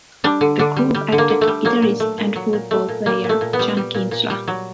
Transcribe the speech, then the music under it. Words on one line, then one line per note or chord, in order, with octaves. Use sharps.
The group added guitarist and football player Chan Kinchla.
G3 D4
D3
D3 D4
G3
G3
D3
A#3
D3
A3
G3
F#3 A#3
A#2
A3
A#2
F#3
A#2
A3
A#2
G3 A#3
A#2
A3
A#2
B3
G3
G3
A#2
A#2
G3
F#3